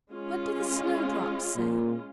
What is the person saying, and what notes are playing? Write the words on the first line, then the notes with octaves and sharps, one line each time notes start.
What did the Snowdrops say?
G#3 C#4 F4
A#2